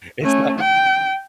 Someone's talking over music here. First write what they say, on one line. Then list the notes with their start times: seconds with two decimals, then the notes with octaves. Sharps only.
It's not
0.22 A3 C#4
0.59 G5